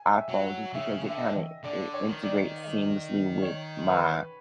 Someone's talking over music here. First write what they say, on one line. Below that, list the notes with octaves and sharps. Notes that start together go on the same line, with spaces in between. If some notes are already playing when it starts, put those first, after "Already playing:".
iPhone just because it kinda, it integrates seamlessly with my
Already playing: G#5
E5
F#3
C#3 E5
D3
E5
D#5
D3 D5
C#5
D#3
D5
C#5
B4